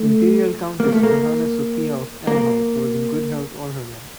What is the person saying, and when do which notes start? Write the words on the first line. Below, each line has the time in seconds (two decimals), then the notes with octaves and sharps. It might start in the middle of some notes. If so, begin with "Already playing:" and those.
Imperial Countess Johanna Sophia of Anhalt was in good health all her life.
Already playing: A3
0.80 A#3
0.92 A3
1.03 A#3
2.27 A#3